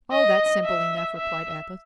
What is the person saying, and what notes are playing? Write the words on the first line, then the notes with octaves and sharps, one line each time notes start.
"Oh, that's simple enough!" replied Athos.
D#5
E5
E5